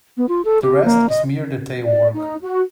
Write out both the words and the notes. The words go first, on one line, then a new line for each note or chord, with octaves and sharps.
The rest is mere detail work.
B3
F4
A4
G4
A#3
D#5
D5
D#4
F#4